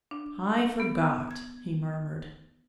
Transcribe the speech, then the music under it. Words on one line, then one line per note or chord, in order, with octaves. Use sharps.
"I forgot," he murmured.
D4
B3
G#6